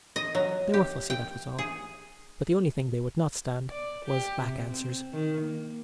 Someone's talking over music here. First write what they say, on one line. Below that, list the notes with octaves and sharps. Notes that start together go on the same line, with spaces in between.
They were fussy, that was all. But the only thing they would not stand was back answers.
D#5
F#3
G4
G5
G#4
D5
G4
C3
C4
D#3
A#3